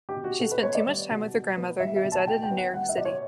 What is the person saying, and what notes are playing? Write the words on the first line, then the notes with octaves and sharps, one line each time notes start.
She spent much time with her grandmother, who resided in New York City.
G4
B2
F#4
B2 A4
B4
B3 C#5
D5
G3
B2
B2
B3
G3 E5
E5
B2
A5
B2 G5
G5
B3
F#5
G3 F#5
E5
B2 D5
C#5